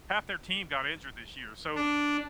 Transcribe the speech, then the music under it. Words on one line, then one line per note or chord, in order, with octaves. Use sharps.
half their team got injured this year, so
D4